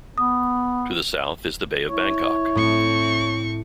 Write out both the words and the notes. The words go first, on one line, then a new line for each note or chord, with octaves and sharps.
To the south is the Bay of Bangkok.
B3 D#6
E4 C#5
A2 A3 C4 C#6